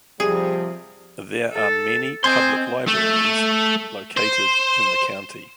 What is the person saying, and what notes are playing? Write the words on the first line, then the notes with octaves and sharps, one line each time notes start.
There are many public libraries located in the county.
C3 F3 G3 G#4
A4
C4 C5 D#5 G#5 C6
A3
C5